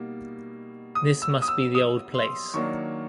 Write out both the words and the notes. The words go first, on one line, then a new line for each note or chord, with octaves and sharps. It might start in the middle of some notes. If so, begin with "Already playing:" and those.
This must be the old place.
Already playing: B2 G3 A#3 D#4
D#6
E6
D#6
E6
D#6
C6
D#3 F#3 A#3 D4 C#6